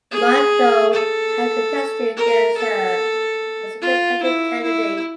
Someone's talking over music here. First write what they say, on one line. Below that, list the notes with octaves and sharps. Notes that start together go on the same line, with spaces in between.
Mahto had contested against her as Independent candidate.
G#4
A4
A#4
A4
F4
E4
E4